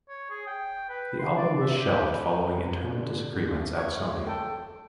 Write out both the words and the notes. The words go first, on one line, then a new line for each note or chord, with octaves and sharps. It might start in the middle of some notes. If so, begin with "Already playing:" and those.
The album was shelved following internal disagreements at Sony.
C#5
G#4
G5
B4
C6
D5
E5
G4
D3
C#5
A4 G5